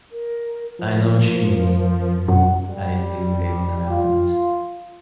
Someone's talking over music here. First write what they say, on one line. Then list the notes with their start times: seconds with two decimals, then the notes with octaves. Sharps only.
I know what you mean. I do hate when that happens.
0.12 A#4
0.79 F3 A#4
2.28 F#2 B2 F#5
2.68 G3
3.89 F4